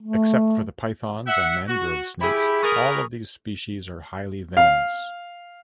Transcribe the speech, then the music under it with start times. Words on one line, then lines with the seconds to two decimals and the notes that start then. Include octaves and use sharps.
Except for the pythons and mangrove snakes, all of these species are highly venomous.
0.03 A3
1.27 E5 F#5
1.68 F#4
2.21 E4 G4 G#4 B5
2.62 G#4 A#4 B4 C#6 D#6 A6
4.57 F5